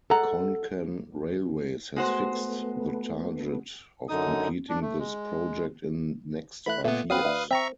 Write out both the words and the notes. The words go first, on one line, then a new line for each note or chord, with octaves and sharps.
Konkan Railways has fixed the target of completing this project in next five years.
G#3 A4 F#5 A#5
G#3 A3 B3 F#4 C5
F#2 D3 D#4 D#6
D4
A3
G#3
E3 A3 E4 B5 F#6
A#2 A3 B3
F#3 B3 C4 B4 F5 D#6
D2
C4 E5 A#5 C#6